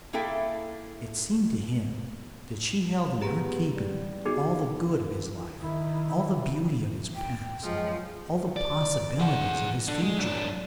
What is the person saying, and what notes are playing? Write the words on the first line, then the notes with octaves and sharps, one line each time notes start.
It seemed to him that she held in her keeping all the good of his life, all the beauty of his past, all the possibilities of his future.
A#3 E4 G#4 A4 E5 G5
B3 G4 G#4 A#5
G3
B3 D#4 F#4 G#4
D#3 E4
G5
F#2 F3 G#3
D5
G#4 F#5
D3 D4
G#3
F#2 D4